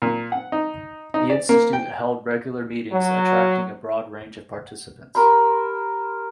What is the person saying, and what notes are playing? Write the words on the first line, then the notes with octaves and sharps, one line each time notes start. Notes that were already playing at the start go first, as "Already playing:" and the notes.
The institute held regular meetings attracting a broad range of participants.
A#2
F#5
D#4
D#4
D5
A#3
G5
F#3
G4 A#4 C5 B5